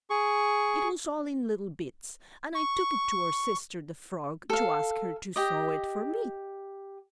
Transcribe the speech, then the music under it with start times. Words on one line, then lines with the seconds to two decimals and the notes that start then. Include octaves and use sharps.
'It was all in little bits, and I took it to our sister the frog to ask her to sew it for me.
0.10 G#4 C#6
2.55 C#6
4.50 A4 F5
5.36 G4 D#5